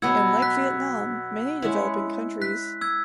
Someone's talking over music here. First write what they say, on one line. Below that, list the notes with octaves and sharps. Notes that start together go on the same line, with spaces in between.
And like Vietnam, many developing countries.
B2 F#3 B3 F#4 E6 G#6
F#6 B6
G#3 C#4 E4
F#6 B6
E6 G#6